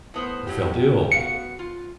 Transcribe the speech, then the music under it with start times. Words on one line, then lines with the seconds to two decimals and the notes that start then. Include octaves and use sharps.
He felt ill.
0.14 A2 B3 C5
0.47 A2 F#3 G4
1.12 B3 F#4 F5 C#7
1.59 F4